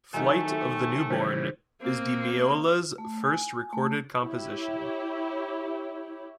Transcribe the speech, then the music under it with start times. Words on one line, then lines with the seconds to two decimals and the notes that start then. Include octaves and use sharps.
"Flight of the Newborn" is Di Meola's first recorded composition.
0.14 A2 C3 D#3 F#3 A3 G#5
1.10 C#3 E3 G3 C5
1.81 A#3 C4
2.98 A3
3.23 G#5
3.73 A3
4.23 E4 G4 C#5